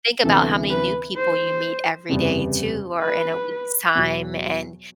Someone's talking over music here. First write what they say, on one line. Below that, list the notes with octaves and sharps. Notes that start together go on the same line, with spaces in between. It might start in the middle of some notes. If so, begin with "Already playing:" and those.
think about how many new people you meet every day too or in a week's time and
D2 C3 E3 B3 A4
B4
C5
F#1 E2 C3 G3 B3
B4
E2 B2 F#3